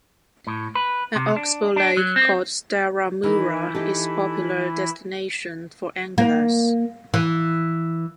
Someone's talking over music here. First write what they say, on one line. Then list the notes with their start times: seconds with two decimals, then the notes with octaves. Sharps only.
An oxbow lake called Stara Mura is popular destination for anglers.
0.47 A2
0.75 B4
1.15 C3
1.36 D4
1.76 D4
1.97 F#3
2.16 C4
3.23 D#3 E3 D#4 E4
3.75 D#4 G4 A4
6.18 A#3
7.14 E3